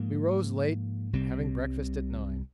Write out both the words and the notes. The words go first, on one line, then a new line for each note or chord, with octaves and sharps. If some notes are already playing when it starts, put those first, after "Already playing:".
We rose late, having breakfast at nine.
Already playing: G#2 F3 A#3
C2 C3 G3 C4